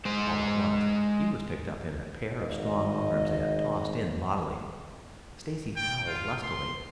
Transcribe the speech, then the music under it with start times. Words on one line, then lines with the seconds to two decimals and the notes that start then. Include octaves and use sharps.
All at once he was picked up in a pair of strong arms and tossed in bodily. Stacy howled lustily.
0.05 G#3 C5
2.43 G#1 D#5
5.76 G5
6.07 F4
6.43 C6